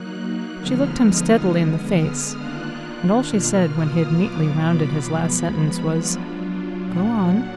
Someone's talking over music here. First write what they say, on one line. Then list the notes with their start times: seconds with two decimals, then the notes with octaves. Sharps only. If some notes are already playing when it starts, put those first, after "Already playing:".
She looked him steadily in the face; and all she said, when he had neatly rounded his last sentence, was--"Go on."
Already playing: F#3 A#3 D#4 F#6
0.60 D3 F3 G#3 B3 D#4 F6
1.04 D#6
1.49 D3 G#3 B3
1.94 F6
2.38 D#3 A#3 D4 F4 F#6
3.28 B2 A#3 F4 F6
3.73 D#6
4.17 B2 F#3 B3 F4 D6
4.63 B5
5.06 F3 G#3 B3
5.96 F#3 D4 F4
6.86 A#2 F#3 D4 F#5